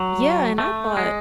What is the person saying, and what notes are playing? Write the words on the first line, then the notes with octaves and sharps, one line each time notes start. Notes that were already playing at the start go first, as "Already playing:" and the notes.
Yeah, and I thought
Already playing: F#3
A3
G#3